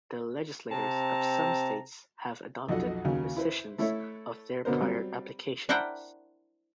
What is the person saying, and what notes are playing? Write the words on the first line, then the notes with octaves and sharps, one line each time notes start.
The legislatures of some states have adopted rescissions of their prior applications.
C3 C4 A5 A#5
B1 F2 F#4 A4 D#5 F#5
D#2 C#3 F#3
E4 B4 C5
A3 E4 A4 C#5 E5
B2 D3 B3 A#4 C5
F#3 G3 C4
D4 E4 A#4 C5 F#5 G5